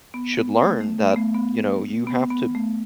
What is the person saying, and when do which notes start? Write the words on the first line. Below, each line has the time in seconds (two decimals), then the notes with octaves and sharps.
should learn, that, you know, you have to
0.14 B3
0.38 B3
0.62 A3
0.81 A3
0.98 A3
1.11 B3
1.16 A3
1.35 B3
2.07 B3
2.30 B3
2.55 A3